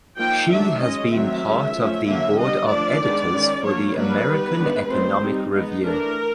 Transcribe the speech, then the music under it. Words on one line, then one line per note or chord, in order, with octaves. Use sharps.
She has been part of the board of editors for the American Economic Review.
F3 A#3 D#4 G5
D#3 F#3 A3 D4 E5
G#3 C#4 D#5
D#3 F#3 A3 C4 E5
D#3 G#3 C#4
F3 A3 C#4
D3 F#3 A#3 C#4 E5
G3 B3 D4 D#5
F3 A3 D4 D5
D#3 G#3 B3 D4
D#3 G#3 C#4
F#3 A#3 D4 C#5
F#3 A#3 D4 B4
G3 B3 D#4
D#3 G#3 B3 D4
D#3 F#3 A3 C4 C5
G3 C4 D#4
G#3 B3 D#4
E3 A3 D4 A#4